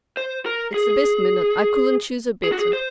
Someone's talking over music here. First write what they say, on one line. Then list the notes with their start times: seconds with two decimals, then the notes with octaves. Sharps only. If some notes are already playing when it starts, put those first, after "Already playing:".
"It's the best minute; I couldn't choose a better."
0.17 C5
0.46 A#4
0.74 G#4
2.44 G#4
2.52 F#4
2.59 G#4
2.73 C5